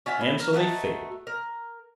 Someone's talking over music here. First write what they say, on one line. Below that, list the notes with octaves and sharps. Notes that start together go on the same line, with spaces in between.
And so they failed.
C#4 F4 F#4 E5
B3
A#4
A3 D#4 F#4 A5
A#4